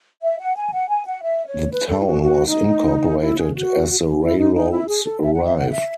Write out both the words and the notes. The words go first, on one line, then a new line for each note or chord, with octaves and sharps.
The town was incorporated as the railroads arrived.
E5
F#5
G#5
F#5
G#5
F#5
E5
C#5
B4
A4
E4
F#4
F#4
D#4
E4
G#4
F#4
E4
D#4
D#4
E4
G#4
A4
E5
F#5
E5
F#5
E5